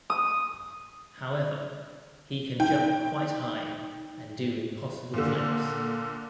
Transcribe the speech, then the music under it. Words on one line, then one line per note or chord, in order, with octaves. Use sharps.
However, he can jump quite high, and do impossible flips.
D#6
D#4 G5
A#2 D3